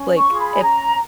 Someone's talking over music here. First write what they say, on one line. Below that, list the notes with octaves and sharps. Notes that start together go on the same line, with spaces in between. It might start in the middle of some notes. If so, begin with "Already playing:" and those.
Like, if
Already playing: C#4
C#6
F4 G#4
B5
G#5
C#4 A#5